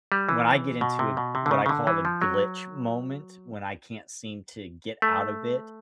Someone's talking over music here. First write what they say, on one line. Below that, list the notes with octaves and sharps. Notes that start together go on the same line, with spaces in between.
when I get into a what I call a "glitch moment," when I can't seem to get out of it,
G3
E3
B2
C3
B2
C3
D3
C#3
C#3
D3
E3
F3
F#3
A3